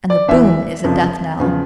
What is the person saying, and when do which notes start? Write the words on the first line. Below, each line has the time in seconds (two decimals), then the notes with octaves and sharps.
And the boom is a death-knell.
0.10 D5
0.28 E2 E3 E5
0.84 F1 F2 C#3 F3
1.39 E2 C#3 F3